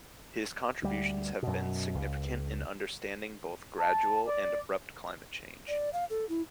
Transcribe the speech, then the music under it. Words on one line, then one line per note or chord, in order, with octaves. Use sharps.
His contributions have been significant in understanding both gradual and abrupt climate change.
D2 G3
F#2 B2
C#2
A5
D5
D5
F5
A4
E4